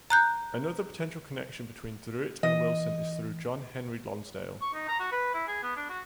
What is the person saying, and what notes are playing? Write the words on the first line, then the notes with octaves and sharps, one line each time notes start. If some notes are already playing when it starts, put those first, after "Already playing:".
Another potential connection between Druitt and Wilson is through John Henry Lonsdale.
A#5 F#6 G6
E3 D#5
C#6
D#4
A#5
F#4
B4
E4
G#4
B3
D4
F#4